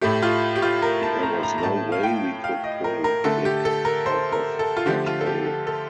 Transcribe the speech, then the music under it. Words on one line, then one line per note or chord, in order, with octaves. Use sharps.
There was no way we could pull Vik out of that hole.
A2 A3 G4
F4
G4
F4
A#4
A5
A#5
A#5
A#5
A2 A3 A5
F5
G5
F5
D#5
A#4
A#4
D3 A3 A4
G4
A4
A#4
C5
A#4
A4
F4
D3 F3 A3 G4
F4
A4
G4
A4
A4